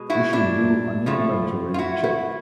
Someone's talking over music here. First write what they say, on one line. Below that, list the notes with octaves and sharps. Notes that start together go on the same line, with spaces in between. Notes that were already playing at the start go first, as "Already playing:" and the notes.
We should do an inventory check.
Already playing: B2 G#3
E4 F#4
D4 E4
A2 F3 A3
F4
E4 F#4
E4 F#4